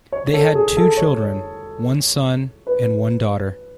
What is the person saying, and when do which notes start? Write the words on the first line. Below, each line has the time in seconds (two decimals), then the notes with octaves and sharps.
They had two children, one son and one daughter.
0.12 C#5
0.34 A4
0.55 G#4
0.77 A4
0.97 C#5
2.67 B4